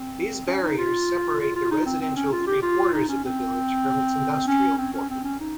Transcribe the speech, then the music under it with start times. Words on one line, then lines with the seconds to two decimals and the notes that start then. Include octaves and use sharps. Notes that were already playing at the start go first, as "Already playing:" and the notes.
These barriers separate the residential three quarters of the village from its industrial quarter.
Already playing: C4
0.47 C#4
0.63 D#4
0.78 F4
1.40 F4
1.55 F4
1.71 D#4
1.86 C4
2.01 C4
2.16 C#4
2.32 F4
2.47 G4
2.63 F4
2.93 D#4
3.09 C#4
3.25 C4
4.48 C#4
4.78 C4
4.94 C#4
5.10 C4
5.25 C#4
5.40 D#4